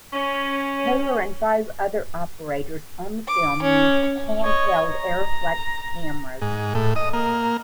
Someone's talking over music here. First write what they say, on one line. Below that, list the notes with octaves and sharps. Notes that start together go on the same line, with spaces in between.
Taylor and five other operators on the film used hand-held Arriflex cameras.
C#4
D6
C#4
C#5 D#5
A#5
G#2
A2
D#5
A#3